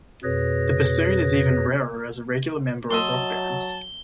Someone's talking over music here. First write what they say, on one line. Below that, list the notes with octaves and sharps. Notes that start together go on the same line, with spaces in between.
The bassoon is even rarer as a regular member of rock bands.
F2 B2 G#4 B4 C#5 A#6
F#3 D#5 E5 A5 C6 G7